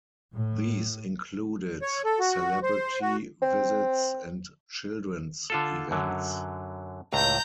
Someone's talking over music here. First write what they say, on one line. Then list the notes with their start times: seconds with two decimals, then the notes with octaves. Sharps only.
These included celebrity visits and children's events.
0.34 A2
1.82 C#5
2.05 A4
2.20 F#4
2.63 C5
3.01 F#4
3.42 C4
5.50 D3 F4 A4
5.91 F#2 D3 F#3
7.13 C#2 A2 A#5 G6